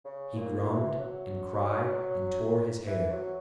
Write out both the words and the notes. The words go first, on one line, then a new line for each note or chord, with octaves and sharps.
He groaned and cried and tore his hair.
C#3
A#2
E3
F#3
E3
F#3